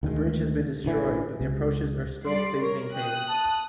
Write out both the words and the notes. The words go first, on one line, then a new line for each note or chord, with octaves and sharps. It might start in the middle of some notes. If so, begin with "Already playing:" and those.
The bridge has been destroyed, but the approaches are still state-maintained.
D2 D#3 G#3
A1 D3 E3
C#2
G3 D5 C6 C7
A#4 C#5
G5 D#6 F#6
A5